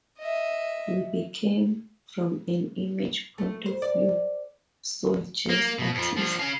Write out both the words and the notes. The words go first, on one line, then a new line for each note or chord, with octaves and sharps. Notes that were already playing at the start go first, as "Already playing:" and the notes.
We became, from an image point of view, soul jazz artists.
D#5 E5
A3
C5
D5
A#3
B2
F2 F3
F3 D4
C#3 F5